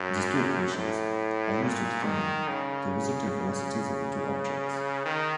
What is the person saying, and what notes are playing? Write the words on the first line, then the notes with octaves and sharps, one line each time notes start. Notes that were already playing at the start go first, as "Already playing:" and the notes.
These two equations are used to determine the resulting velocities of the two objects.
Already playing: F#2
A2
A#2
D#3
C#3
D#3